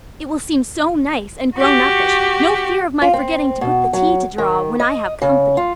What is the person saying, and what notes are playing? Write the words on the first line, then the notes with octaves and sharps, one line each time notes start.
It will seem so nice and grown-uppish. No fear of my forgetting to put the tea to draw when I have company.
F#4 G4
F4
C4
B2
F#3
D#3
D#5
C#3
F4